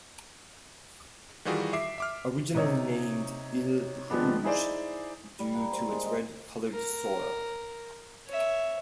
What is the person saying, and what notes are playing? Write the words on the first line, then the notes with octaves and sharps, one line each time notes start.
Originally named "Ile Rouge" due to its red coloured soil.
D#3 E3 G3 F4 F#4 G#4
E5 D6 C7
E5 D6 F6
C3 D#4 C#5
D#3 F3 G#3 B3 D4
D#4 E4 G#4 C5 D5
G3
A#3
C5
G#3
D#5
A#4
C#5 E5